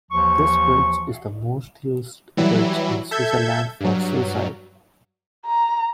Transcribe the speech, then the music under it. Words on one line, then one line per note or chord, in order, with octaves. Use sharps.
This bridge is the most used bridge in Switzerland for suicide.
D#2 E3 F3 C#6
E3 F#3 G3 E4
A4 E5 G6 G#6
G2 F#3
A#5